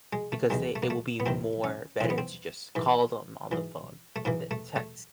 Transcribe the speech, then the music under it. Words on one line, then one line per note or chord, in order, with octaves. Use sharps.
because they it will be more better to just call them on the phone than text.
G#3
A3
E2 C3 D#3 G#3
A3
A#3
A3
B3
E2 C3 D#3 C4
C#4
G#2 E3 C4
B3
C4
G#2 E3
G#2 E3
A3
G#2 E3 A#3
A3
A3